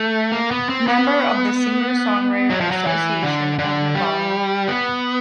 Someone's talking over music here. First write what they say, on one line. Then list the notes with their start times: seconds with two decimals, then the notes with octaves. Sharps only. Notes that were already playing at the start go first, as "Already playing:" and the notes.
Member of the Singer-songwriter Association of Navarra.
Already playing: A3
0.32 A#3
0.51 B3
0.69 C4
0.87 B3
2.50 F#3
2.60 F3
2.71 F#3
2.87 E3
3.23 D3
3.59 D3
3.95 G3
4.68 B3